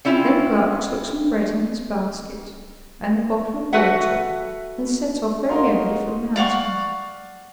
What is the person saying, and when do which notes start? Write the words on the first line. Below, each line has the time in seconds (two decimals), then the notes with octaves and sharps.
Then Gluck took some bread in his basket, and the bottle of water, and set off very early for the mountains.
0.05 C4 C#4 E4 F4
3.73 A3 F#4 B4 E5 F#5
5.49 D#4 F#4 A#4 F5 C6
6.36 D5 F5 F#5 C#6